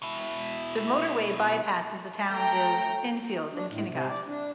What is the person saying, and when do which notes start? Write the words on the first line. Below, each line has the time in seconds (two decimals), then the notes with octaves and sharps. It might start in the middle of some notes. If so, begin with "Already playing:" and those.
The motorway by-passes the towns of Enfield and Kinnegad.
0.02 B2 E4
2.31 A3 G5 A#5
3.53 D4
3.70 A2
3.89 C3
4.09 D5
4.27 D4